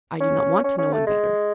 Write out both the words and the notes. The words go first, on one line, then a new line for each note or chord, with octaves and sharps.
"I do not want to know him better."
C#4
C#4
C#4
A3
G#3